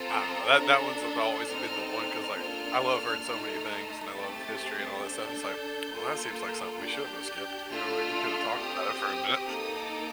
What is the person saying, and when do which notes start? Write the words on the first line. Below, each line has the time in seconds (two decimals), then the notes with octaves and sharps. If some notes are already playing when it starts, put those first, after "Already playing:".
I don't know, that that one's a the always been the one 'cause, like, I love her in so many things, and I love history and all that stuff, it's like, "Well, that seems like something we shouldn't have skipped, you know? Like, we could've talked about it for a minute,"
Already playing: C4 F4 A4 A#5
0.56 D4 A4
1.45 C4 D#4 A4 F6
1.90 F6
2.34 A#3 D4 F4 A4
3.23 A3 D#4 A4
4.13 A3 C4 G4 A6
5.01 D4 A4 G6
5.91 A#3 F4 A4
6.79 D4 G4 G6
7.68 A3 D4 F4 A4 F6
8.57 C4 G4 D#6
9.46 A#3 D#4 A4 D#6
9.77 D6